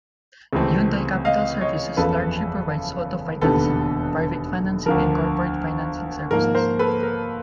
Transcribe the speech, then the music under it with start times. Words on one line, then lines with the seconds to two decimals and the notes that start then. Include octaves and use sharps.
Hyundai Capital Services largely provides auto financing, private financing and corporate financing services.
0.53 C#2 C3 E3 A3 C4
1.25 D#5 F5
1.61 C#5 D#5
1.97 F#1 E2 C#3 F3 A4 B4
3.41 E1 D#2 D3 G3 B3 A4 B4
4.86 D2 D3 F3 A#4
6.31 G#2 F3 A#3 A#4
6.55 A#4 C5
6.79 A4 B4
7.03 A#4